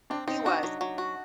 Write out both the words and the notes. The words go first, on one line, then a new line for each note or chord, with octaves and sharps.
he was.
C4 D4
C4 D#4
D4 F#4
F#3 D#4
F#3
F#4